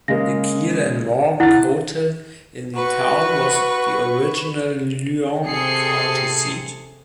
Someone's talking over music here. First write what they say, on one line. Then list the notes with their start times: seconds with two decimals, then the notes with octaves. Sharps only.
The Kiel and Morgan Hotel in the town was the original Lyon County seat.
0.08 C#3 G#3 A#3 A#6
1.40 E4 F#5 F#6 A6
2.76 F#4 B4 C#6
5.47 C3 G#4 A4 C7 C#7